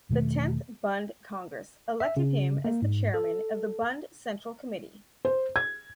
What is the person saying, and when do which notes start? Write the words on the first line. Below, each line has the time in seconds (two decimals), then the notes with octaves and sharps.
The tenth Bund congress elected him as the Chairman of the Bund Central Committee.
0.09 E2 B2 D#3 A3
2.00 E5
2.17 C#3
2.64 A#3
2.82 G#2
3.14 A4
5.25 C5
5.56 G#6